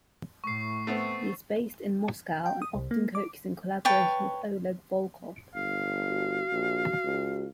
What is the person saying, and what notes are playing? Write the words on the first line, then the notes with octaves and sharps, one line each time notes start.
He is based in Moscow and often coaches in collaboration with Oleg Volkov.
A2 C#6 C7
A3 B3 C4
G5
D#6
C2
A#3
D6
B4 C#5 G5 A5
G1 F5
F#4
A#1
C#2